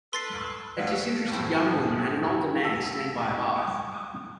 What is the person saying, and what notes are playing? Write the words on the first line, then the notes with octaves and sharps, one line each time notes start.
A disinterested young woman and an older man stand by a bar.
D4 A4 B4 C6 A6 C7
C#3 A3 B4 D5 F5 F#5
A2 C4
D4 F5 F#5 A5 A#5 E6